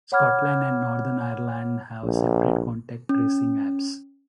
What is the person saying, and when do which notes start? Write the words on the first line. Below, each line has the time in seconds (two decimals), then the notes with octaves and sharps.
Scotland and Northern Ireland have separate contact tracing apps.
0.12 C#5 F#5 B5 D6 F6 G#6
2.03 A#1
3.09 C#4